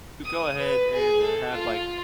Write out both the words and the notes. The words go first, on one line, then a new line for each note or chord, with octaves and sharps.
You go ahead and, uh, have, like
D#6
B4
G#4
A4
F4